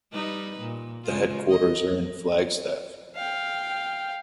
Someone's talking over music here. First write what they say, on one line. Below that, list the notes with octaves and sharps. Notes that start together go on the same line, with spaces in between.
The headquarters are in Flagstaff.
G3 D#4 B4
A#2
C#3 G#3 F4
D#5
F5 G5